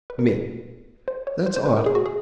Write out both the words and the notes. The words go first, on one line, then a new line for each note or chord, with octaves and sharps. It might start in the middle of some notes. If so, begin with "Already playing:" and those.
ME: That's odd.
B4
A#4
B4
C5
C#5
C5
C5
B4
A#4
G#4
F#4
G#4